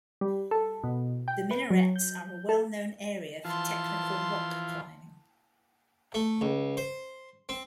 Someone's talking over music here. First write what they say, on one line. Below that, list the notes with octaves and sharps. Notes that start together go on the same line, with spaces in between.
The Minarets are a well-known area for technical rock climbing.
G3
A4
B2
G5
B4
F#3
G6
A4
E3 F3 F4 A5 C6
A3
C#2
C5
C4